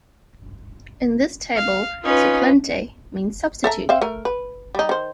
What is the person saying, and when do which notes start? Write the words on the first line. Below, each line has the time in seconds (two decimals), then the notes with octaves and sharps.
In this table "suplente" means substitute.
1.56 F5
2.04 C#4 D#4 F4 B4
3.64 A4 E5 A#5
3.89 C4 E5 F5
4.01 A3 A#4
4.25 B4
4.75 G3 D#4
4.89 D#3 C5